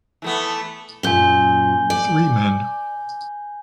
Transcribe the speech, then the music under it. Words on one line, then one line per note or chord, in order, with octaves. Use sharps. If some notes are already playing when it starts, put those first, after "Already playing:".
Three men.
E3 A3 B3
F#2 A#2 G#5 G6 G7
D5